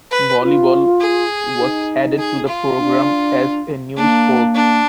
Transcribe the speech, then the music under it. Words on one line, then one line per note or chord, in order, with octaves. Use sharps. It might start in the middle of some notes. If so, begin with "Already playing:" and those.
Volleyball was added to the program as a new sport.
B4
F4
G#4
D#4
G#4
F4
D4
A#3 D4
D4